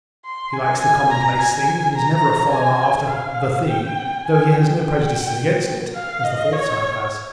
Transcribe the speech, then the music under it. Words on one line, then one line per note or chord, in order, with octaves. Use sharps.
He likes the commonplace things and is never a follower after "the thing" though he has no prejudices against it, as the fourth type has.
C6
G#5
G#5
A#5
G#5
A#5
G#5
F5
G5
G#5
G5
F5
D#5
C#5